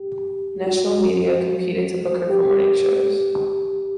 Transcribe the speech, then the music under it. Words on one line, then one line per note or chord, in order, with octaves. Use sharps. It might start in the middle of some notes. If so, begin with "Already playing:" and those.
National media competed to book her for morning shows.
Already playing: G4
F#4
G4